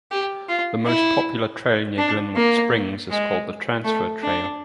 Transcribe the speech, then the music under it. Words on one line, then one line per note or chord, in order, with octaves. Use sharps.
The most popular trail near Glenwood Springs is called the Transfer Trail.
G4
F4
E4
D4
A#3
G#3
A3
D4